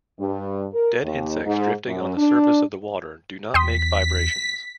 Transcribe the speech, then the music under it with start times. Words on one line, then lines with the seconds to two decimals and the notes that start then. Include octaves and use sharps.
Dead insects drifting on the surface of the water do not make vibrations.
0.19 G2
0.73 A#4
1.03 D#2
1.45 G#2
1.86 F#2
2.17 D4
3.54 E2 G5 C6 D#6 B6